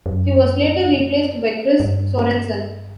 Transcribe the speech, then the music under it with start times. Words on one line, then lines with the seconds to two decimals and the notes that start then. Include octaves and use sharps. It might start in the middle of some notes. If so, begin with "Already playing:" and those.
He was later replaced by Chris Sorenson.
0.06 F#2
1.80 G2